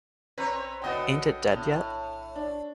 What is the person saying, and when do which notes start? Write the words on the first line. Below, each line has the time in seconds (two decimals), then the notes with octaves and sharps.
Ain't it Dead Yet?
0.38 C4 B4 C#5 A#5
0.82 D3 B3 F#4 D#5 G5
1.52 A2
2.36 D4